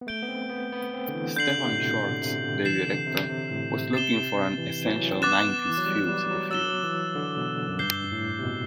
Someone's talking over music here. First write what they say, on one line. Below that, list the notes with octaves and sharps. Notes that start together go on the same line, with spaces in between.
Stefan Schwartz, the director, was looking for an essential nineties feel to the film.
B3
A3 G6 D7 G7
B3
C4
B3
B3
C4
D3
E3
D3 G6 C7 F#7
C3
A2
B2
D3
C3
D3
E3 G6 C7 E7
D3
C3
C3
C3
A2
C3
A6 C7 E7 G7
E3
E3
F#3
C4
B3 D6 F#6 A6 E7
E3
F#3
G3
G3
G3
F#3
F#3 E6 A6 E7 G7
E3
D3
B2
F#2
G2 G6 C7 G7
A2
C3
B2